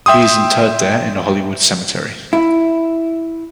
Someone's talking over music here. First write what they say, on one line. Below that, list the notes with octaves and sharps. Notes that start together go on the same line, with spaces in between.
He is interred there in the Hollywood Cemetery.
E5 G5 C6 D#6
E4